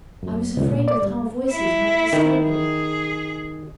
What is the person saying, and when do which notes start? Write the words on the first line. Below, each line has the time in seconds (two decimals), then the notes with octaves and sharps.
I was afraid that our voices might disturb him.
0.23 F#2
0.57 C#2
0.68 A#2
0.88 D5
1.02 G2
1.51 E4
2.13 D#3
2.46 G#4